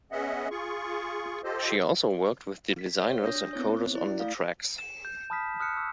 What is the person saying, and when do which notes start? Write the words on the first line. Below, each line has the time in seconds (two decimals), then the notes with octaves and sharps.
She also worked with the designers and coders on the tracks.
0.12 B3 C#4 G#4 D#5 E5 F#5
0.51 F4 G#4 C#6
1.44 F4 G4 A4 C5 D#5
2.79 B6
2.99 C#5
3.23 D4 D#6 G6 A#6
3.53 B3 C4 E4 C#5
3.95 E4 D5
4.20 A3 F5
4.78 E7
5.05 G6
5.30 A5 B5 D#6 F6 G6 B6
5.60 D#6 F6 F#6 C#7
5.76 C#6 E6